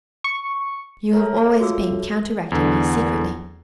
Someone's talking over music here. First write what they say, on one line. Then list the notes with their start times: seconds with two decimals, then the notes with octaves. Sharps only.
You have always been counteracting me secretly.
0.24 C#6
1.12 A4 A#4 C#5 E5
1.60 F4 F#4 G#4 E6
2.52 E2 D3